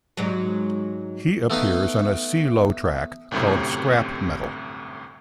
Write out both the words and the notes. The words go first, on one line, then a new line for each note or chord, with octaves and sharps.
He appears on a Cee-Lo track called Scrap Metal.
G#2 F#3
A3 B3 D#4 F5
G1 C2 F#2 A2 C3